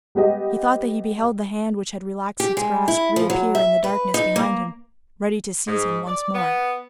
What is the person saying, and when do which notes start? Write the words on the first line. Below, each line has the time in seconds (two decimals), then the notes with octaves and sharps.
He thought that he beheld the hand which had relaxed its grasp reappear in the darkness behind him, ready to seize him once more.
0.15 G3 B3 G4 D#5
2.40 G4
2.57 G#3
2.88 E4
3.16 F3
3.30 F#3
3.55 E5
3.84 B4
4.14 D#4
4.36 A#3
5.66 G#2
6.06 D5
6.34 B3